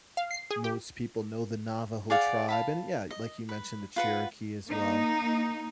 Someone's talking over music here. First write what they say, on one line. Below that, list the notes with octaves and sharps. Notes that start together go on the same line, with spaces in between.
most people know the Navajo tribe, and, uh, yeah, like you mentioned, the Cherokee as well,
F5
C7
G#4
G4
G#4 D5 F5 F#5
F5 A5 B5
D#5
B4
F4 B4 F#5
A#3 D#4